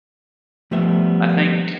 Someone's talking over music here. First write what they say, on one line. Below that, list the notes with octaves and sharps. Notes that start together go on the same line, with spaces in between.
I think,
F3 G3 A3 B3 E5